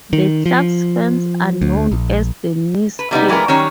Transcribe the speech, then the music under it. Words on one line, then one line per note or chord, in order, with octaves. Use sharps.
The club's fans are known as "The Misfits".
D#3
F3
D2
A#1
B4
C3 G3 B3 D#4
E3 G#3 A#3 B3 A#4
D#3 F#3 G3 C#4 C#5